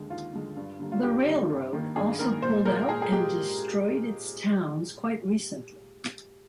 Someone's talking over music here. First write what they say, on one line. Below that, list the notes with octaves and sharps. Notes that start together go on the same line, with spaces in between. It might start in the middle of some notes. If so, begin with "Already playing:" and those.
The railroad also pulled out and destroyed its towns quite recently.
Already playing: D#2 D3 G#3
D#2 F4
D3 G#3
G2
D3 G3 A#3
F4
G2 G4
D3 G3 A#3
G2
D#3 A#3
G2 G#4
D#3 A#3 A#4
A#2 C5
G#3 A#4
A#2 G#4
G#4
G#3 G4